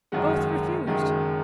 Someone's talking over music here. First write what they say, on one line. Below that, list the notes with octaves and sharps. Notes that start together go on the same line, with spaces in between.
Both refused.
F#1 F#2 D#3 G#3 F#5
F#1 F#2 D#3 G#3